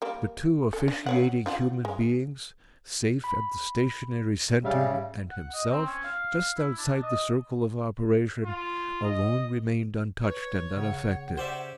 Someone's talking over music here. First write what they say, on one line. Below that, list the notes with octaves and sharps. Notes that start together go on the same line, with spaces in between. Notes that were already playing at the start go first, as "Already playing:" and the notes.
The two officiating human beings, safe at the stationary centre, and himself, just outside the circle of operation, alone remained untouched and unaffected.
G3 A#3
A4
D4
F#3 C#5 F#5
D4 F4 F#5
G#3
B5
G#2 C#3 G3 E5 F5
F#5
D#5
C4
C#4
F5
E4
D4
D#5
F4
D#5
B4 C#5
C#3 F#5
C#4 G4 C5 D5 E5